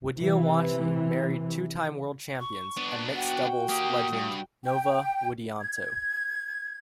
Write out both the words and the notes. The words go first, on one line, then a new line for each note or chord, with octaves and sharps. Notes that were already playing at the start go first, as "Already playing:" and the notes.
Widiowati married two-time world champions and mixed doubles legend Nova Widianto.
C3 E3
C#6
B3 D4
F#4 F#5 G5
A#3 G4 D#6
G2
G5
G#6